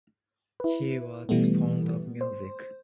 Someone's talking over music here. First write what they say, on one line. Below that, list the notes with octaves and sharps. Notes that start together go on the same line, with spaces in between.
He was fond of music.
E4 B4
B2 E3 G3 A3 B3
C5